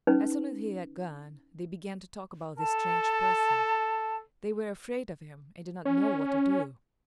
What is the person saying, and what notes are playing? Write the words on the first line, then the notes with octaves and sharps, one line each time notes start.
As soon as he had gone they began to talk about this strange person. They were afraid of him and did not know what to do.
C#4 D#4 B4
A4 A5
C#4